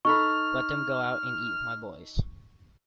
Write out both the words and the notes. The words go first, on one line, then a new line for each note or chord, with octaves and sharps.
Let them go out and eat with my boys.
D#4 A4 B5 C#6 F6